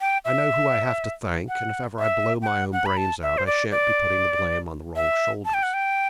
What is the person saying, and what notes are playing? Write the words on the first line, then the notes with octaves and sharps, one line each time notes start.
I know who I have to thank; and if ever I blow my own brains out I shan't be putting the blame on the wrong shoulders.
G5
E5
F#5
E5
G5
F#5
F#5
B5
A5
E5
C5
D5
D5
E5
A5
G5
F#5
G5